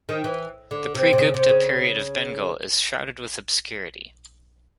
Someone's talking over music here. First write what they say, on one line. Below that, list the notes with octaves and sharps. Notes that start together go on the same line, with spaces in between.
The pre-Gupta period of Bengal is shrouded with obscurity.
D#3
E3
D3
C3
C3
C#3
C3
C#3